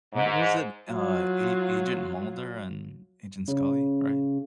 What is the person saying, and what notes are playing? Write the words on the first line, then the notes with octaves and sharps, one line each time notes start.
What was it, uh, A Agent Mulder and Agent Scully, right?
G#2
F#3 F4
C#3